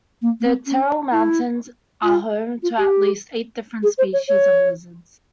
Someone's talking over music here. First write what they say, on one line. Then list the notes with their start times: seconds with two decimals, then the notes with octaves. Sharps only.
The Terril Mountains are home to at least eight different species of lizards.
0.21 A#3
0.40 A#3
0.45 C4
0.66 C#4
1.11 E4
2.02 F4
2.62 F4
2.77 G4
3.82 G#4
3.97 C5
4.12 C#5
4.28 C#5